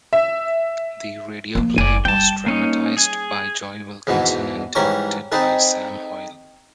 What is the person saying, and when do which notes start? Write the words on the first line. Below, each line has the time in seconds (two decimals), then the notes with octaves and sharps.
The radio play was dramatised by Joy Wilkinson and directed by Sam Hoyle.
0.13 E5
1.55 F3 A#3
1.78 F#1 D5 G#5
2.05 G3 G5 A5
2.46 A#3 C#4 D#4
2.97 G#4 G#5
4.07 E2 G#2 B2 E3
4.75 G#2 E3 G3 C#4 A#5 C#6
5.32 C4 D#4 G#4 A4 B4